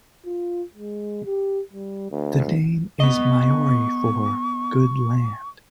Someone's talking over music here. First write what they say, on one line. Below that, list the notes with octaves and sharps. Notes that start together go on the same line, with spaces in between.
The name is Maori for "good land".
F4
G#3
G4
G3
D2
B3 D#5 C#6